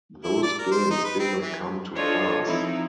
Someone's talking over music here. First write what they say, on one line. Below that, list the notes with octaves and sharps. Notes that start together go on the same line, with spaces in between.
Those games did not come to pass.
E4
D5
A#4
C5
D#4
B4
C4
E3
D4 F4 A4 C5 C#5 D#5
F3 C4 D#4 E4